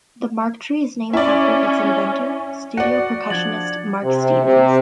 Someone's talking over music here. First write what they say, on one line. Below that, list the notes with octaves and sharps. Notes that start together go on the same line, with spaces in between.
The mark tree is named after its inventor, studio percussionist Mark Stevens.
C#4 E4 D5
F#4 D5 F#5 A#6 C#7
F3 D4 G#6 A6 F#7
C3
C3